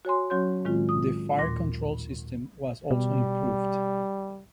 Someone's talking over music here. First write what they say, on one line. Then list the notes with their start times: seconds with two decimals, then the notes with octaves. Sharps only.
The fire-control system was also improved.
0.05 F#4 C#5 G#5 C6
0.30 F#3 C#4 F#4 C#5 C6 G6
0.65 A2 D#3 G#3 C4 F4
0.89 D#6
1.39 D#2 A#2 C6 D6 A#6
2.91 B2 G3